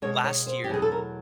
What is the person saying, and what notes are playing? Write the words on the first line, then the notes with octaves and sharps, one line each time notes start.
last year,
B2 G#3 C#5
C#5
C5
G4
E2 B2 F#3 A3 G#4
A4
A#4